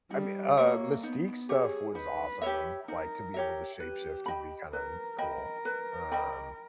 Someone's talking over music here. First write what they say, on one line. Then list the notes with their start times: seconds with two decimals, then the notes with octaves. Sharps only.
I mean, uh, mystique stuff was awesome, like to be able to shape shift would be kinda cool, um,
0.11 G3 D#4
0.57 A#3 G4 C#5 E5
1.03 B3 D#4
1.49 G4 G#4 C#5 E5
1.95 D#4 B4
2.42 G4 C#5 E5
2.87 D#4 A#4
3.34 G4 C#5 E5
3.80 G4 B4
4.26 D#5 G5 B5
4.73 A#4 B4
5.18 A#4 D#5 G5 B5
5.65 B4
6.12 D#5 G5 B5